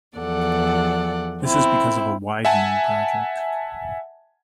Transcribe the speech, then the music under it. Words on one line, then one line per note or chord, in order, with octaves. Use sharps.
This is because of a widening project.
E2 F3 A4 D5 F#5
C4 E4
E5 F#5 G#5 A5